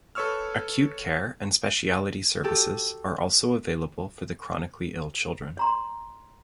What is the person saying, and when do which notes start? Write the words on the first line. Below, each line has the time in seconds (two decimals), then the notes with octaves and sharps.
Acute care and specialty services are also available for the chronically ill children.
0.15 A4 B4 C#5 C#6 E6 F6
2.43 F#4 G4 A4
5.57 C#5 A#5 C6